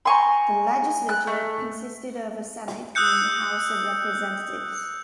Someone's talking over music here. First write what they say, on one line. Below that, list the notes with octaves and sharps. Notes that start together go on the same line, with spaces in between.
The legislature consisted of a Senate and House of Representatives.
G5 G#5 A#5 C6 C#6
F#6
A3
D#6 E6 F#6 G6 C#7